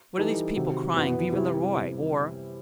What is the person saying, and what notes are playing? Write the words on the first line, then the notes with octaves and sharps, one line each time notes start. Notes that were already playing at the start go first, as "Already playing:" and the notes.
What are these people crying 'Vive le Roi!' for?
E3 G3 D#4 A4
C3 D#3 F#3
F#2 E3 B3
C3 E3 G3 C4 E4